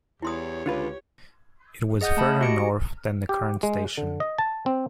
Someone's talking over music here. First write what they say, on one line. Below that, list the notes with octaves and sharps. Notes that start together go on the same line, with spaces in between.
It was further north than the current station.
E2 E4 G4 C#5 C6 D#6
C#2 D3 F4 B4
G#4 D#5 F#5 D#6 G6
A3 A5 B5
F#4 G4 D#5 A#6 C#7 D7
G4
G#3
D3
D#5
A5
C4